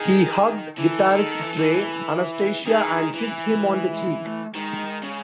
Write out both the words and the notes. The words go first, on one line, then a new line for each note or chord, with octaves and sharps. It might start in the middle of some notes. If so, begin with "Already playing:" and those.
He hugged guitarist Trey Anastasio and kissed him on the cheek.
Already playing: D#3 G#4
E3 A4
D#3
E3
E3
D#3 G#4
E3
G#3
G#3
A3
D#3 G#3
C#3